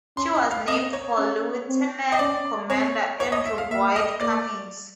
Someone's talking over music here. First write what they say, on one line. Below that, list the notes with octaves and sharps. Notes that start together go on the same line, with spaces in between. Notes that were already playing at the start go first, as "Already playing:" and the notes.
She was named for Lieutenant Commander Andrew Boyd Cummings.
C#4 C6
B5
F5
C4 D#5
C#5
C#4
C4
D#5
C#4 D5
C4 C#5
C#5
D#5
E5
F5
A#3 E5
D#5
A#3 D5